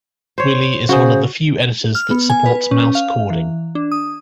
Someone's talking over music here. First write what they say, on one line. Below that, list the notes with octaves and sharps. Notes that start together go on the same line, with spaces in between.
Wily is one of the few editors that supports mouse chording.
C5 C#5
C#3 F#4 G#4 C5
F6
B3
G#5
B4
C#4
F5
E3
D4
D#6